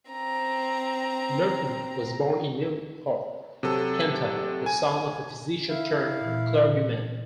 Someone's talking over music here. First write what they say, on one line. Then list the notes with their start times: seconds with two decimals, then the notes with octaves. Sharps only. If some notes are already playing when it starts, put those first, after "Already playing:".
Lurton was born in Newport, Kentucky, the son of a physician turned clergyman.
0.11 C4 A#5
3.63 C3 F#3 A4
4.66 G#5
5.69 E4 F5
6.21 A#2 E3